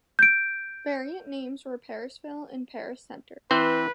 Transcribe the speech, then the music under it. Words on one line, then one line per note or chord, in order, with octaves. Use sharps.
Variant names were Parisville and Paris Center.
G6 D7
E3 C4 B4 C5